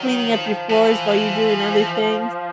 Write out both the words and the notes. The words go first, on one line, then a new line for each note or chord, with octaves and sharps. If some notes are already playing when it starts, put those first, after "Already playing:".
cleaning up your floors while you're doing other things.
Already playing: D#3 F#3
F3
E3 F3